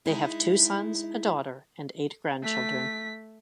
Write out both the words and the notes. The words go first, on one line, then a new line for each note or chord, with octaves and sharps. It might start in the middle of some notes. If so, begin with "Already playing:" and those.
They have two sons, a daughter, and eight grandchildren.
G#3 D#4 E4
A3 B6